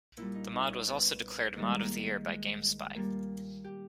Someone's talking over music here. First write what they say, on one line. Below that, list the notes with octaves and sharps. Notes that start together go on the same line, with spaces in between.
The mod was also declared Mod of the Year by GameSpy.
A#2 G3 E4
D#4
D#4
C#4
B3
G#2 D#3 G3 A#3
G#3
A#3
G#3
A#2 G3 A#3
G4